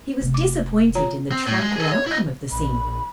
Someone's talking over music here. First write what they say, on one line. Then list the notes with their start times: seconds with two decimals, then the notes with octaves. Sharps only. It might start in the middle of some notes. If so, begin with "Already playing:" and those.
He was disappointed in the tranquil outcome of the scene.
0.20 F1 C3
0.34 D6
0.95 F4 C#5 A#5
1.31 C4
1.47 A2
1.60 G#3
1.76 G#4 A4
1.92 C#5
2.06 E4 D#5
2.51 A#1 B5